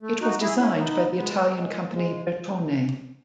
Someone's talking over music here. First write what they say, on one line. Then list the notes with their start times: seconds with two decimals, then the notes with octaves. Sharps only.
It was designed by the Italian company Bertone.
0.03 A3
0.21 D#4 F#4
0.41 E4 G#4
0.60 C#4 E4
0.74 C#4
0.79 B3 D#4
1.17 G#3 B3
1.57 G#3
1.95 G#3